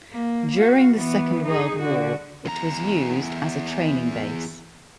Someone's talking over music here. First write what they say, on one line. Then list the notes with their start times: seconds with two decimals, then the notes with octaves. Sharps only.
During the Second World War, it was used as a training base.
0.11 A#3
0.57 F#4 F5
0.94 E3 B3
1.46 D#4 G#4
1.79 D3 F#4
2.45 E2 A#5